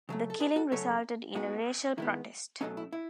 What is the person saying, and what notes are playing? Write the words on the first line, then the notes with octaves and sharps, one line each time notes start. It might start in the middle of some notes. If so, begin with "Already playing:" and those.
The killing resulted in a racial protest.
C#3 F#3 A3
A4
G#4 B4
F#4 A4
C#3 F#3 A3 C#4 A4 C#5
A2 G#3 B3 D#4 F#4
D#3 G#3 B3 E4
B2 F#3 A3 C#4 D#4
E4
E4